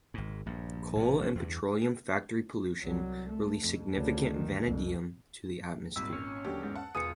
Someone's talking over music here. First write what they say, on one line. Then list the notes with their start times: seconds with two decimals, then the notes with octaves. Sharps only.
Coal and petroleum factory pollution release significant vanadium to the atmosphere.
0.14 G#1 G#2
0.46 A#1 G2
0.95 A#1 A2 C3
1.22 A1 B3 C#4
1.35 E2 G2
2.81 C2 F#3
3.28 A3
3.62 F2
3.92 D2 C#3
4.31 D#3
4.66 C2 F2
5.96 G#1 A#2 G3 E6
6.13 C#4 C#5
6.44 D#2 D3 F#3 G4
6.61 E2 G#2
6.75 F#5 A5
6.95 E1 F4 G#4 B4 D#6 C#7 D#7